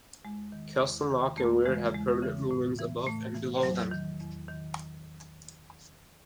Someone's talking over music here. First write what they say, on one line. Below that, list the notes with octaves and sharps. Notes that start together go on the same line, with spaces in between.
Kelston Lock and weir have permanent moorings above and below them.
E2 G#3
D#3
E2
D#3
E2 A3
C#3 E3 G#3
E2 G#3
C#3 E3
A2
E3
A2 A3
E3
E2 F#3
D#3
E2
D#3